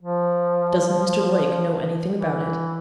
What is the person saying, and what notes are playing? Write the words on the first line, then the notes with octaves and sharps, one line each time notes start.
"Doesn't Mr. Blake know anything about it?"
F3
E3